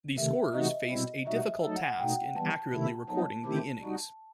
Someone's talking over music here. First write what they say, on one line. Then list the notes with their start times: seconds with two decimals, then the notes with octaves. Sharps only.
The scorers faced a difficult task in accurately recording the innings.
0.18 C3 D#3 A3 E5
0.54 C3 E3 A3 D#4 F#4 D#5
0.91 B2 G3 C4 E4
1.27 B2 G3 D#4 F#4 E5
1.63 F#3 A3 D#4 A4
1.76 F#5
1.88 F#5
2.00 B2 A3 D#4 G5
2.36 E3 G3 B3 A5
2.73 C3 D#3 A3 E4
3.09 F#3 B3 D#4 A5
3.45 D#3 A3 C4 E4 G4
3.82 G3 D#4 F#4